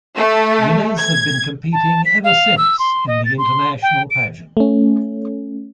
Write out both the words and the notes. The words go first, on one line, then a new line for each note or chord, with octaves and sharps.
Winners have been competing ever since in the international pageant.
A3
G#6
A5
B6
F5
E6
C6
D#5
A6
C6
G5
D7
A3 C#4